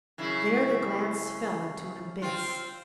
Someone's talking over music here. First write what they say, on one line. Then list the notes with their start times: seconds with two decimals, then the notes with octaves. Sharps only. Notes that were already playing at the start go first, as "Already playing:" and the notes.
There the glance fell into an abyss.
0.18 F#2 C#3 E4
2.22 C4 F4